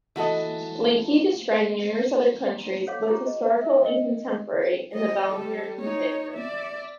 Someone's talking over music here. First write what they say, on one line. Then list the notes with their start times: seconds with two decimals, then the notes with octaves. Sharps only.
Lackey described numerous other countries, both historical and "contemporary", in "The Valdemar Companion".
0.16 E3 F#4 A4 D#5
2.87 A4 C#5 F5 F#5 C6 D6
3.08 F4 G4 G#4 A#5 C6 D6
3.24 F4 D#5
3.61 D#4 A#4 E5
3.84 A#4 D#5 G5
4.92 G3 D#5
5.27 G3 A4
5.80 D#4 C#5
6.34 D5 E5